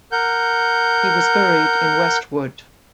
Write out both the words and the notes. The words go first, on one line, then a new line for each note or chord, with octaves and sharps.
He was buried in Westwood.
A#4 F#5 G6